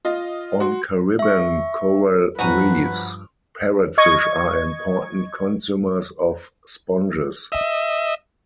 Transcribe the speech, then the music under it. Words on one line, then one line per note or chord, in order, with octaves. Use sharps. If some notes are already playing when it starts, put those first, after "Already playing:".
On Caribbean coral reefs, parrotfish are important consumers of sponges.
F4 D#5
F#4 C6
E5 C#6
G2 F3 C#4 D#4 F#4 B4
D#5 C#6 G#6
D#5 E5